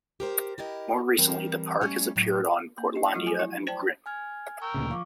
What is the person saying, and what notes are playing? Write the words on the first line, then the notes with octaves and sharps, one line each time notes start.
More recently, the park has appeared on "Portlandia" and "Grimm".
G4 A#4 C5
E4 G4 A#4 D#5
E3 G3 C4 A#4
F3 G3 A3 C#4
A2 F#3
A#3
E4 D#5
F3 F#3 A3 E4 F#4
F4 G#5
E4
C5 D5 G5 A5
G#5 F6 G#6
A#4 G5 C#6 E6
D2 A#2 C#3
F3 F5 C#6 D6